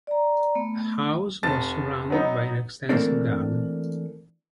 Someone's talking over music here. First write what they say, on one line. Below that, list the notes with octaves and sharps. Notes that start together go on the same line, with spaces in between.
The house was surrounded by an extensive garden.
D5 A#5
A3 B3
F1 A5 A6
F#3 B3 D#4
E3 A3 A#3 C4 D4